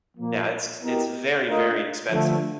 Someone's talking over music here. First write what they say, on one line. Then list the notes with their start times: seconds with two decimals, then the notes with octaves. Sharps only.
Yeah, it's it's very, very expensive.
0.17 A#2 F3 A#3
0.81 B3 E4 G4 A#4 D#5
1.46 A3 D4 F4 A#4 D#5
2.11 D3 F3 A3